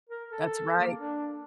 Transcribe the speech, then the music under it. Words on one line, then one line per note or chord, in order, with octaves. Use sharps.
That's right.
A#4
A4
A#3
D4